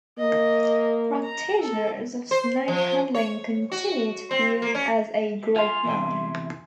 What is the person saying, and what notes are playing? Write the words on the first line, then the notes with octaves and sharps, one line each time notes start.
Practitioners of snake handling continue to view him as a great man.
A#3 D#5
A#5
A4
C5
F3
C#5
F#4
C4
A#3
C#4
F4 F5 G#5 C6
E2 C3 E5